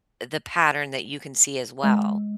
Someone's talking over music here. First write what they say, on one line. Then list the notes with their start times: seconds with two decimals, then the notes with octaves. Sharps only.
the pattern that you can see as well,
1.83 G#3